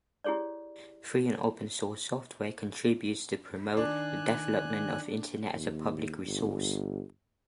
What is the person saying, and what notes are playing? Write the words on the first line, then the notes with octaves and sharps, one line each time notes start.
Free and open source software contributes to promote the development of internet as a public resource.
E4 G4 G#4 C#5 D5
D#3 D4 G#5 F#6
D#2
G1